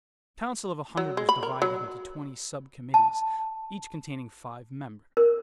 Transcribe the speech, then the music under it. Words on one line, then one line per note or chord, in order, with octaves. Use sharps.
The council of a hundred was divided into twenty subcommittees, each containing five members.
F#3
G#3
B5
A#4
F#3
A5
A#4